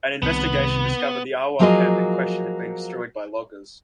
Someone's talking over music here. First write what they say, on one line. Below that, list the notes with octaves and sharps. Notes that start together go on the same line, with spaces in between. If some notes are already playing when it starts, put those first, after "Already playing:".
An investigation discovered the Awa camp in question had been destroyed by loggers.
C2 C3 D#3 B3
F3 F#3 A#3 F4 G#4 D#5